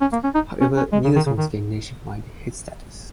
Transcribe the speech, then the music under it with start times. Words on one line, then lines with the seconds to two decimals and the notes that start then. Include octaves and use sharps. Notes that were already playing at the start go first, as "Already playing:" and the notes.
However, neither song gained nationwide hit status.
0.01 C#4
0.12 A#3
0.24 C#4
0.35 D#4
0.61 C#4
0.77 C#4
0.92 G#3
1.04 C#3
1.16 D#3
1.26 C#3
1.38 D#3